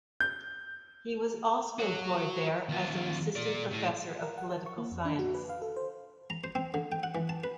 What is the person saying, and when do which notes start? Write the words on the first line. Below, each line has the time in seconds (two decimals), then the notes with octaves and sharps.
He was also employed there as an assistant professor of political science.
0.20 G6
1.79 F#4 C#5
2.69 D#2 F4
3.36 A#2 D5
3.71 A2 A3
4.23 A#4
4.38 F#5
4.51 A5
4.66 C#6
4.78 A#3
4.92 F2
5.05 D4
5.19 F#4
5.35 B4
5.49 F5
5.62 A4
5.77 C5
6.30 A#5
6.44 C5
6.55 C4
6.74 D3
6.92 G5
7.03 F#5
7.15 E3
7.29 A5
7.44 B4